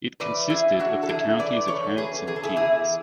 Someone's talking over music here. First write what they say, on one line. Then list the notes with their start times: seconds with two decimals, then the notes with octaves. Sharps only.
It consisted of the Counties of Hants and Kings.
0.20 E3 B4 D5
0.49 E3 E4 G#4
0.79 E3 D4 F#4
1.03 A4
1.09 F#2 E4 G#4
1.39 E3 B4 D5
1.68 E3 A4 C#5
1.97 E2 G#4 B4
2.27 E2 G#4
2.36 A4
2.43 E4 G#4
2.56 E2 E4 G#4